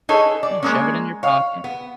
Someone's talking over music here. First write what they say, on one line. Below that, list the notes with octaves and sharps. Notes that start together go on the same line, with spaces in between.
Yeah, shove it in your pocket.
D#4 G#4 A4 B4 C#5
D5
G#3 A#3 C#4
C#5 F5
B3